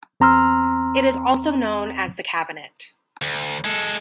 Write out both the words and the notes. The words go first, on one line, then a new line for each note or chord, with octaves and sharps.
It is also known as the cabinet.
E2 C4 A#5 C6 E6 F6
D2
G#3 A4